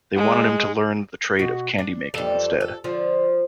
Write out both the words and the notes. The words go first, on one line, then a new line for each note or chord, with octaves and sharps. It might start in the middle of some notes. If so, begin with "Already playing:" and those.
They wanted him to learn the trade of candy making instead.
G#3
B2 F#4
D4
F2 E3 G3 A4
A4
D3 F3